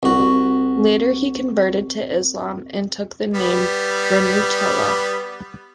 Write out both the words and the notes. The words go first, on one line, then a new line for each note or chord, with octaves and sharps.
Later he converted to Islam and took the name Rehmatullah.
C2 F#4
G3 B3